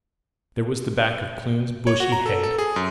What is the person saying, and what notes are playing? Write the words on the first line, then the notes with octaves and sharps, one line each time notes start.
There was the back of Kloon's bushy head.
C#5
F#4
A#5
A4
A4
G#4
F#2